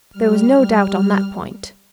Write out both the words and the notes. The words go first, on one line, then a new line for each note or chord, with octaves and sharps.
There was no doubt on that point.
G3 F6